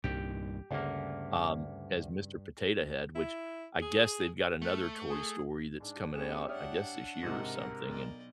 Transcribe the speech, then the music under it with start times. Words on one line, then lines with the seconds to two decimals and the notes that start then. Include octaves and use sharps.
um, as Mr. Potato Head, which I guess they've got another Toy Story that's coming out, I guess this year or something, and
0.04 C2 G2 A#2 D#3 G4
0.71 D2 G2 C#3 A#3
3.15 E4
3.82 G#4
4.62 A3
5.10 G#4
5.80 G#2 D4
6.14 A3 B3 C#4 G4 G#4 C#6
6.48 G2 D4 C#5 D5 E5 F#5 D#6 F6
7.23 G#2 C3 A#4 D#5
7.89 B1 D5 D#5